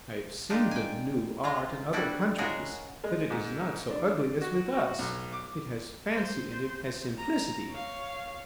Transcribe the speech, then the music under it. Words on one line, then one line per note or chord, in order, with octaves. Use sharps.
I have seen the 'new art' in other countries, but it is not so ugly as with us; it has fancy and it has simplicity.
D4 D#4 F4 G4
G5 G#5
G#3 F4 A#5
G3 D4 E4 F#4
C#3 G#3 F#4 G#4 A#4
G#3
G#2
D4
F#4
F#4
B1
D6
C5
A#5
C#5 F5